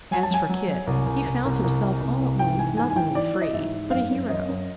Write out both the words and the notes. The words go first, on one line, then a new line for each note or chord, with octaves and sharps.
As for Kit, he found himself all at once not only free, but a hero.
F#3 G#5
A5
F#3 G#5
F#3
F#3
C2
C2
C2
C2
C2
C3
C2
C2
G#2 G5
E3 G#5
G#2 G#5
G#5
E3 G5
E3 D5
E3
D#5
G#2 E5
G#2
F#2 F5
F#2
F#2 D#5
F#2